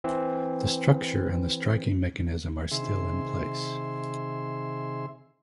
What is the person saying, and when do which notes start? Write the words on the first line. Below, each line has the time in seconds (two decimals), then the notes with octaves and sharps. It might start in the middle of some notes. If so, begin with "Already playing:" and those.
The structure and the striking mechanism are still in place.
0.04 E3 C4
2.72 C3 D#3 G#4 E5 C6